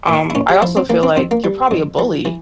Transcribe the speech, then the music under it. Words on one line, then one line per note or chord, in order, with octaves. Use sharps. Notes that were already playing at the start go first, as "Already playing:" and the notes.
Um, I also feel like you're probably a bully.
A#2
E4
A#2 C#4
G4
F3 E4
C4
E3 A#3
C4
F2 C4
A#3
G3
F2
E3
E3